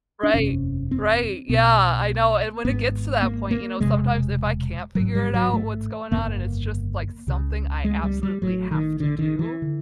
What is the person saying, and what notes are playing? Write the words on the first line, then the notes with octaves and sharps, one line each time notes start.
Right, right, yeah, I know, and when it gets to that point, you know, sometimes if I can't figure it out what's going on, and it's, just like, something I absolutely have to do,
D4
F#1 E2 C3 C#4
C4
B1 B2 B3
G#1 G#2 B3
A#3
A#3
E1 E2 C3 G#3
A1 G#2 F#3
G3
F#3
A3
G1 F2 C#3 A#3
C#2 C#3
G#3
G3
G3
A1 A2 F#3
D#3
D3
D#3
E3
D3